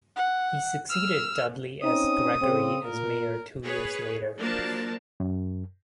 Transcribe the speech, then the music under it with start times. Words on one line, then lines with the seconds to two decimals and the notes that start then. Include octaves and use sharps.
He succeeded Dudley S. Gregory as mayor two years later.
0.16 F#5
0.90 E6 F6
1.83 C4 C#4 D#4 D#6
2.41 C#3 C4
2.84 A#2 A#4
3.64 G#4 B4 C#5
4.38 F3 F#3 A#3 D4 A#4 A5
5.20 F#2